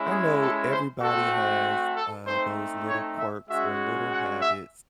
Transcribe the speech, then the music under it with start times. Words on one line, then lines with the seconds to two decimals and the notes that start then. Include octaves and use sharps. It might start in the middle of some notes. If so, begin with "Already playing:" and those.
I know everybody has, uh, those little quirks or little habits
Already playing: G#3 C#4 E4
0.10 G#4
0.40 A4
0.71 C5
1.01 A3 C4 F#4 A4
1.95 A4
2.25 A3 C4 D#4 C5
2.87 C#5
3.18 E5
3.49 G#3 C#4 F#4 E5
4.11 F#5
4.41 E5